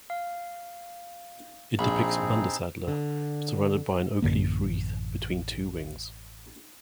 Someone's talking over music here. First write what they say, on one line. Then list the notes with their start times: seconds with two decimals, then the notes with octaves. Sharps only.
It depicts the "Bundesadler" surrounded by an oak leaf wreath between two wings.
0.10 F5
1.79 A#1 C4 D#4 G#4 B5
2.88 D3
4.22 A1 F#2 D3 A#3